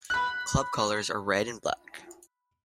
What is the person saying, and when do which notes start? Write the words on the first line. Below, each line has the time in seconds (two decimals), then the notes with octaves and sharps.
Club colours are red and black.
0.10 B5 F#6